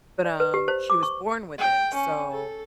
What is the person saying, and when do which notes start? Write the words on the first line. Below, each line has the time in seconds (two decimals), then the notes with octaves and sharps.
but, um, she was born with it, so
0.25 D5
0.40 B4
0.54 G4
0.68 C5
0.90 D6
1.03 C#6
1.58 G5
1.94 C#4
2.32 A4